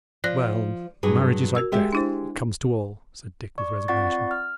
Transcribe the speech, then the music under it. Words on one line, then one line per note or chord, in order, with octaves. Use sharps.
"Well! marriage is like death, it comes to all," said Dick, with resignation.
F3 D5 F#6 A#6
G2 F#3 G#4
F#4 A#4 E6
G#3 G4 E5
D4 E4 C5
D5 C#6
C4 F4 D5 F#5 C#6 A6
F6